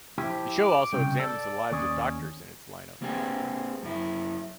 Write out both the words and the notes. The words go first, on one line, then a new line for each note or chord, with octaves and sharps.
The show also examines the lives of the doctors in its lineup.
F3 E4 G4 E5
D6
C2 C#3 G5
A4 D5
D#2 C#4 G#4
A#3 C4 G4 G#4
F#2 E4